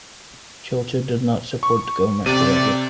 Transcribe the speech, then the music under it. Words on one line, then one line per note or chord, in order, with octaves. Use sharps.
Churchill did not support the government, however.
C#6
C3 A3 G4 D5 D#7